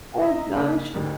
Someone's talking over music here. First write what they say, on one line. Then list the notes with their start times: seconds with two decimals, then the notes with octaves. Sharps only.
Oh gosh.
0.21 D#5 E5 A#5
0.56 A#2 C#3 A#3 D4 D#4 A#4
0.93 D2 G#2 G3 A#4